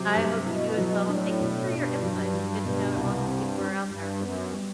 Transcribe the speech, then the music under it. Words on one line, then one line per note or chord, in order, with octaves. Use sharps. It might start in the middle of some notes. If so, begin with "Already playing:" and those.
I hope you do as well, and thanks for your input. It's good to know honest people are out there.
Already playing: C3 F#3
G2
B2 E4
F#3
A2 D4
B2
G2 D4
F#3
F#3
B2
C2
C4
G3
G2 G3
F#2 B3
G3